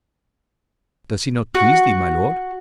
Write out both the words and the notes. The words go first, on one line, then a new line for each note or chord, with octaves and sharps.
Does he not please thee, my lord?
F#4